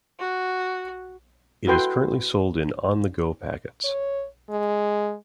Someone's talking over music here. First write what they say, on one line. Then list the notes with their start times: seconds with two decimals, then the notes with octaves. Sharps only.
It is currently sold in "On The Go" packets.
0.19 F#4
1.67 E4 F#4 A4 B4 G5 C6
3.84 C#5
4.50 G#3